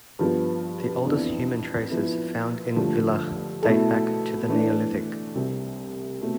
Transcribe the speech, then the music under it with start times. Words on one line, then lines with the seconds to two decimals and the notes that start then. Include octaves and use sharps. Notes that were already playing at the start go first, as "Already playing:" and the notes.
The oldest human traces found in Villach date back to the Neolithic.
0.19 G2 F3 B3
1.05 F2 E3 B3 D4
1.91 F3 B3 E4
2.76 G2 D3 F3 A3
3.63 B2 A3 E4 A4
4.48 E3 A3 D4
5.35 C2 C3 G3 C4
6.21 B2 A3 C4